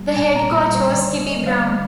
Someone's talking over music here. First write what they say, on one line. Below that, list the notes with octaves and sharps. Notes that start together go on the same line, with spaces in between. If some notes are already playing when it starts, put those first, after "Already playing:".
The head coach was Kippy Brown.
Already playing: G3
A#2 G#5
A#5
A#2
A#5
G3
C5
D3 D5
D3 D#5
G3 F5